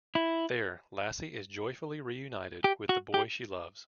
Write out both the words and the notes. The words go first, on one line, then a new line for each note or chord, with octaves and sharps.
There, Lassie is joyfully reunited with the boy she loves.
E4
G4
F#4
G4